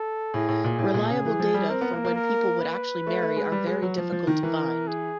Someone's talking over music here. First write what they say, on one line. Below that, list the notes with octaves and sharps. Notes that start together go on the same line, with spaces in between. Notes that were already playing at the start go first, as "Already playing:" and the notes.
Reliable data for when people would actually marry are very difficult to find.
Already playing: A4
A2 G#4
A2
A#2
A2
A#2
C#3
E3
F3
G3
C4 A#4
B3
A#3
A#3
A#4
B4
A3
A3
G#3
G3
G#3
F#3
F3
F3
D#3
E3 A#4
G#4